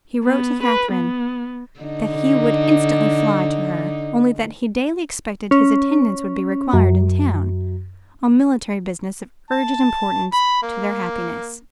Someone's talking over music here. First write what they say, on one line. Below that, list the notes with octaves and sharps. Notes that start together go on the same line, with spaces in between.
He wrote to Katherine that he would instantly fly to her, only that he daily expected his attendance would be required in town, on military business of urgent importance to their happiness.
B3
B4
B3
D3 D#4
C#4
F#2
A5
B5
A#3